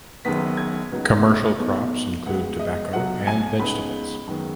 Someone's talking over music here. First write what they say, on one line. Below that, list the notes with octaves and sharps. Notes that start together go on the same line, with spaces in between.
Commercial crops include tobacco and vegetables.
F#1 F#2 D#3 B3 B6
G#6
C#2 C#3 F#3 B3 D#4
B1 B2 B3 D#4
C#2 C#3 G#3 B3 F#5
D#5
B1 B2 F#3 F#5
G#5
C#2 C#3 B3 D#4 B5
F#2 D#3 G#3 B3